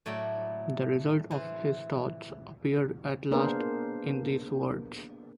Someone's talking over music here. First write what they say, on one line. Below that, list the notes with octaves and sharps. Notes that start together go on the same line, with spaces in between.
The result of his thoughts appeared at last in these words.
A2 F#3 A3 E4 D5 G5
E3 C5
A#3 B3 D4 G#4 A#4 C5